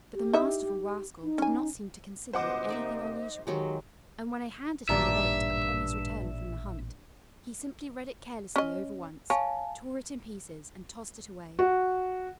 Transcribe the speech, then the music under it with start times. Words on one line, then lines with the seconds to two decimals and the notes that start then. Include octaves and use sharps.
But the masterful rascal did not seem to consider it anything unusual, and when I handed him the note upon his return from the hunt, he simply read it carelessly over once, tore it in pieces and tossed it away.
0.14 G4
0.33 D#4 E4 E5
1.23 D#4
1.38 C#4 G#5
2.33 C#2 G2 B2 C5 D#5 F#5 D6
2.69 C3 A#3 D#4 D5 E5
3.47 D#3 F#3 G#3 G4
4.89 A1 G2 A#2 D#3 G4 D5 E5
8.56 C#4 D#5
9.30 C#5 F5 G#5 A5
11.59 F#4